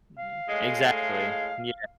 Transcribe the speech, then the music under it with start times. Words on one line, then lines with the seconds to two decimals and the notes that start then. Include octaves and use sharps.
meh exactly, yeah.
0.19 F5
0.49 A2 G#3